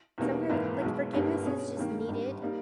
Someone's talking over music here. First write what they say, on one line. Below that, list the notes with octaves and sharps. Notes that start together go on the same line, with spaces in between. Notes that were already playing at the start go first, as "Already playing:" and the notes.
sometim like forgiveness is just needed,
E2 B2 G3 A#3 D#4
G#1 G#2 E3 A#3
B1 B2 G#3
G1 G2 G3 A#3 D#4
B2 G3 C#4 G#4 C#5
G2 D#3 A#3
G#1 G2 G3
G3 A#3 D#4